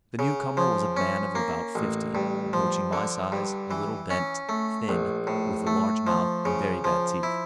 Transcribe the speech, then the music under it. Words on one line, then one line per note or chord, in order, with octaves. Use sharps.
The new-comer was a man of about fifty, approaching my size, a little bent, thin, with a large mouth, and very bad teeth.
C#3
F3
C#4
A#3
A1
G2
F3
D3
G2
E3
C#4
A3
A#1
A2
A3
F3
C#3
F3
E4